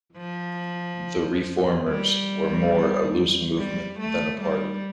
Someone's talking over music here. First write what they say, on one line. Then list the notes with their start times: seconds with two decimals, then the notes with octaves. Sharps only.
The Reformers were more a loose movement than a party.
0.17 F3
1.88 G3
3.58 G3
4.00 A3
4.41 G3